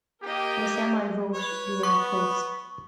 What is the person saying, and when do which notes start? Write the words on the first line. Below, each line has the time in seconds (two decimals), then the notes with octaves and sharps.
I sent my vote via post.
0.23 A#3 G4 A#4 D#5
1.33 B4 C#5
1.83 B3 C#6